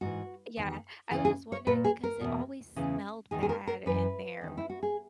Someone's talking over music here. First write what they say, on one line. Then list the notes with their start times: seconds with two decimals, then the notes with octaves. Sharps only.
Yeah. I was just wondering because it always smelled bad in there.
0.01 G#2 E3 F#4
0.57 E2 D#3
1.11 E2 C#3 E3 G#4
1.25 G#4
1.52 C#5
1.67 A#2 B4
1.84 G#4
2.03 A#4
2.21 E2 B2
2.76 E2 C#3 E3
3.31 E2 D#3 G#4
3.43 G#4
3.49 A#4
3.67 A#4
3.86 F#2 E3 B4
4.41 E2 D#3
4.57 E4
4.70 F#4
4.83 G#4